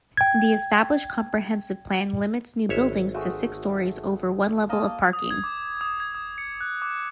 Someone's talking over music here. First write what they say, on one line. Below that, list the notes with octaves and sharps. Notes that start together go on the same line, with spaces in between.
The established comprehensive plan limits new buildings to six-stories over one-level of parking.
G5 G#6
G#1 C#5 E5
G#3 A3 F#4
A#3 D#5 A5
D#6
G#6
D6
D#6
G#6
D#6
C#7
F#6
D6